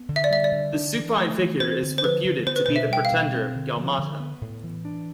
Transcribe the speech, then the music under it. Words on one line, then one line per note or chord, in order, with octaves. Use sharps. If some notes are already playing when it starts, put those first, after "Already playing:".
The supine figure is reputed to be the pretender Gaumata.
Already playing: B3
D3
E5
D5
G3 E5
D5
D3
D4
E3
A3
E3
C4 C5
D3
C5
F3 B4
D3
B3 C5
B4
B2 C5
E5
G3 G5
F5
B2
C4
D3
F3
D3
B3
A2
E3
D4